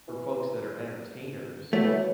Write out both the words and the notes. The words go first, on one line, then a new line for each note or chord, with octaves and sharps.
for folks that are entertainers,
E3
F#3 A3
E3
F#3